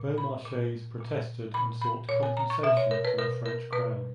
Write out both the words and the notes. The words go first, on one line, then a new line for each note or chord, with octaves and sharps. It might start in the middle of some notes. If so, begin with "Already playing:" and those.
Beaumarchais protested and sought compensation from the French Crown.
Already playing: A#2
B5
A#2
A#2
A#2 B5
B5
A#2 C#5
G#5
A#5
C#6
B2 E5
C#5
A#4
B4
B2 A#4
A#4
B2 B4